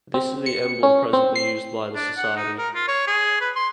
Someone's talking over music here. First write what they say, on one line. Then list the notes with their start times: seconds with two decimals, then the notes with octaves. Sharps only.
This is the emblem presently used by the society.
0.14 C4
0.46 C#7
0.83 C#4
1.13 C4
1.36 C7
1.95 D4
2.18 F#5
2.36 D#4
2.58 A#4
2.75 F4
2.88 C#5
3.07 G#4
3.41 B4
3.56 C6